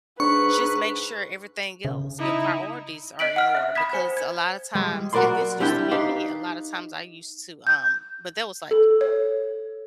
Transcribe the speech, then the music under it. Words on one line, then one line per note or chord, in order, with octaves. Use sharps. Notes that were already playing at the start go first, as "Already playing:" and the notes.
just make sure everything else, your priorities are in order because a lotta times and this used to be me, a lotta times I used to, um but that was, like,
G#2 D4 B4 C#6
C#3
D#4 E4
D#5 F#6 B6 D7 F#7
F#5 F6 F#6
E5 F#6
B5 D#6 G#6 B6
C5 G#5
G#6
G3 G#3
F#3 F#4 A#4 D5 B5 C6
G3 C4 D4 E4 E5 G5
D#4 G4 B4 F5
G6
A4
C#5